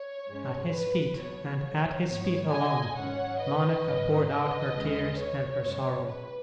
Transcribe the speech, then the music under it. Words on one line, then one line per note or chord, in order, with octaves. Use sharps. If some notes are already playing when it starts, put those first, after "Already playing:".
At His feet, and at His feet alone, Monica poured out her tears and her sorrow.
Already playing: C#5
G#2 G#3 C#4
B4
B1 B2 F#3 B3 C#5
G#2 F#3 B3 C#5
D#5 G#5
G#2 D#3 F#3 C#4 C#5 F#5
B4 D#5
G#1 G#2 F#3 C#4
B4 D#5
D#2 D#3 G#3 C#4
C#5
F#2 C#3 G#3 B3
B4